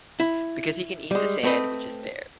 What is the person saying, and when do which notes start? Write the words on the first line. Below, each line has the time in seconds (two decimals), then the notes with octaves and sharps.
Because he can eat the sand which is there.
0.20 E4
1.11 G3 G#3
1.43 A3 C4 B4 D#5